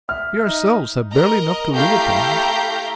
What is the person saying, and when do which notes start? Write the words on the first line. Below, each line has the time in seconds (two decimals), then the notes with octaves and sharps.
We ourselves have barely enough to live upon.
0.09 E5 F6
0.47 D#4
1.12 A#4 D#5 A#5
1.73 A3 E4 G4 F5 A#5 G6